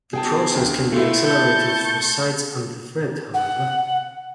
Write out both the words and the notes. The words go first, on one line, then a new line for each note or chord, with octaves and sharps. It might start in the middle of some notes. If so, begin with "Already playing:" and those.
The process can be accelerated for sites under threat, however.
B2 G#4 G5 A5
D2 G5
A3 E4 F4
A5 C#6 G6
F#5